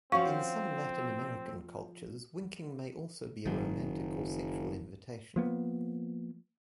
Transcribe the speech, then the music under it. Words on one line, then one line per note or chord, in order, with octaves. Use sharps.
In some Latin American cultures, winking may also be a romantic or sexual invitation.
F3 C4 C#4 F#4 F5 C#6
F#1 D#3 F#3
F3 A#3 B3